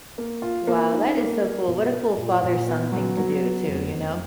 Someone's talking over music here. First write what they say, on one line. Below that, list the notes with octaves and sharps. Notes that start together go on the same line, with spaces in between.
Wow, that is so cool. What a cool father-son thing to do, too, you know?
A#3
F4
A#3
D#4
A#3
A#4
B2
A#4
A#2
A#2
B3
F#3
F#3
B3
F1
F1